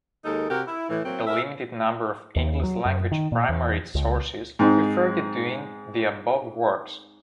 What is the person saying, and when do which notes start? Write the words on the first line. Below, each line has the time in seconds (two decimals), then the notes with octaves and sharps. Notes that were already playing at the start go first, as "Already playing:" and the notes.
A limited number of English language primary sources referred to in the above works.
0.24 D#2 G#3 D#4 A4 A#4
0.49 C3 F#4 G4 A#4
0.66 E4
0.89 A2 E3
1.03 F#3 A#3 C4
1.25 G#4 A#4 E5
2.36 D#2
2.63 F#3
2.85 F#2
3.12 D#3
3.32 A#2
3.49 E2
3.95 C#2
4.59 G#2 C4 D#4